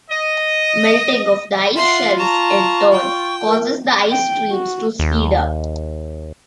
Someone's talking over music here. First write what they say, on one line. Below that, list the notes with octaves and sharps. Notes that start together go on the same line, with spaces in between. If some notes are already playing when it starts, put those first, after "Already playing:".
Melting of the ice shelves in turn causes the ice streams to speed up.
D#5
F4 E5 F#5 C6
A5 A#5 C#6
G5
A#4
G5
F#4
D#2